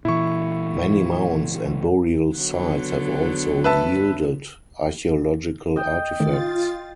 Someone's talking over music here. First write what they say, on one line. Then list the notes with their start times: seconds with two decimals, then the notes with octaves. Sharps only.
Many mounds and burial sites have also yielded archaeological artifacts.
0.05 A#2 E3 E4 C#6
2.36 D3 F#3 B3
3.64 B4 E5 A5
5.76 D#5 G5
6.20 A2 D#3 F4 A6